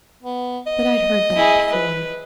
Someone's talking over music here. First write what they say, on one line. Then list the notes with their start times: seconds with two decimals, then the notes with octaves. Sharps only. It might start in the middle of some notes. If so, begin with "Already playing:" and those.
But I'd heard that before.
0.23 B3
0.67 D#5
1.36 E4 G#4
1.69 B4